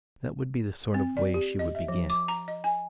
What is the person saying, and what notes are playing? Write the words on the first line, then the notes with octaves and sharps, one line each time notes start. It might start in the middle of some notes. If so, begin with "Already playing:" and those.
That would be the sort of way she would begin.
C4
D5
G4
D#5
E5
F3
D6
A#5
D#5
G#5